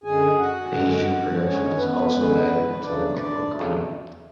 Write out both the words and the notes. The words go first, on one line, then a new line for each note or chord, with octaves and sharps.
Baijiu production is also valuable to the local economy.
F#2 D3 G#3 G#4 G#5
F#4 F#5
F#2 D3 G#3
F#2 D3 G#3 C#4 C#5
B3 B4
F#2 D3 G#3
E2 C#3 F#3 A3 D4 D5
D4 D5
E2 C#3 F#3 A3